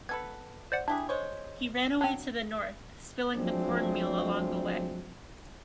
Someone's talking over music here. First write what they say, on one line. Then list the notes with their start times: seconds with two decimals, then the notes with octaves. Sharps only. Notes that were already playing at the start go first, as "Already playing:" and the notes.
He ran away to the north, spilling the cornmeal along the way.
0.09 B3 A4 B4 G#6
0.72 C5 D5 F#5
0.88 D4 E4 G4 G#4
1.09 G#3 C5 C#5
2.01 F#3 C4 D4
3.36 F3 F#3 G#3 A3 C4 D4